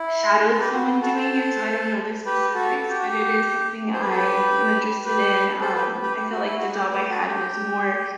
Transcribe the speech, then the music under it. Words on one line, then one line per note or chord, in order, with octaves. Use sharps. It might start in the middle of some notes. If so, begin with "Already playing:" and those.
shadowed someone doing it, so I don't know the specifics, but it is something I am interested in. Um, I feel like the job I had was more
Already playing: E4
A4
G4 B4
F#4
B3
F#4 A4
A4 C5
G4 B4
F#4 A4
A4
G4
F#4
G4
C5
B4
A4
G4 B4
G4 B4
A4 C5
G4 B4
G4 B4
G4
F#4
E4
F#4
G4
G4 B4
F#4 A4
G4